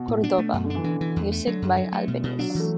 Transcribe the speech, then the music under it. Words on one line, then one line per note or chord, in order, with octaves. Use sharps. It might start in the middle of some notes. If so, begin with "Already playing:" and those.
Cordoba, music by Albeniz.
Already playing: B2
A2
D4
A3
F#2 B2
D3
E3 D4
D3 E3
E3
E2
A3
D3 F#3
F#2
F#3
A3
B2
B2
F#3 D4
F#3
E3
A3